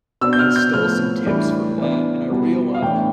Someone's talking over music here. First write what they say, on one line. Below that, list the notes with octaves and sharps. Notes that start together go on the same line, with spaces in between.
I stole some tips from that, and I reali
B2 B3 D4 E6
G6
F6
G6
A2 F3 B3 F6
A2 E3 G3 D4
E3 B3 D4
B2 G3 B3
F5
A2 E3 B3 D4 G5